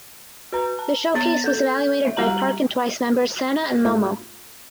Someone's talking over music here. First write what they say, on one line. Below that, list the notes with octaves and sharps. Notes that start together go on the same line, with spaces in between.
The showcase was evaluated by Park and Twice members Sana and Momo.
F#4 B4 A#5
A5
B3 C#5 A6 A#6
A4 G6
E5
G3 F#4 G4 A#5 F#7
G#2 A3 F4